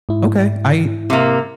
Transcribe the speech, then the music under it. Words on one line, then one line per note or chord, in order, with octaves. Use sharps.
okay. I
G#2 E4
C3 A#3